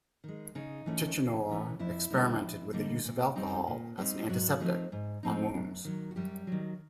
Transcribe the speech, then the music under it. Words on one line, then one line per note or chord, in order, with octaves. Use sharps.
Tichenor experimented with the use of alcohol as an antiseptic on wounds.
D#3 G#3
C#3 D#4
E3 A3 C#4
C#3
E3 A3 C#4
F2 E4
D3 G3 A#3 D#4
F2
D3 G3 A#3 D#4
A#2
G3 C4 D#4
A#2
G3 C4 D#4
G#2 F#3 F#4
F3 A3 C4 D#4
G#2
F3 A3 C4 D#4
F#2
D#3 F#3
F#4
F#2 G3 G4
D#3 F#3